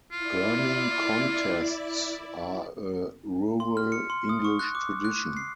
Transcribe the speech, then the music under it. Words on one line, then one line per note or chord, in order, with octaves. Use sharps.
Gurning contests are a rural English tradition.
E4 F4 D5
C6
F6
C#7
C6
D#6
C#6
F#6
D6
F#6
C7